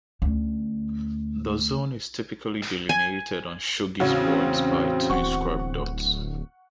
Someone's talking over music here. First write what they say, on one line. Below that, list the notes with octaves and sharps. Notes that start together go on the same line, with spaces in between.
The zone is typically delineated on shogi boards by two inscribed dots.
D2 C#4
G#5
A1 E2 C#3 C4 F#4
D1 F#5 C#6